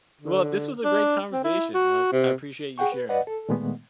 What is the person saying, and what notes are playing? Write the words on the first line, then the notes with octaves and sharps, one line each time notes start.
Well, this was a great conversation, uh, I appreciate you sharing.
D3
D4
C4
E4
F#4
C3
G#4 F#5 G5 C#6
B4
B4 D5 D#5 F#5
A4
A#2 D#3 G#3 A3 B3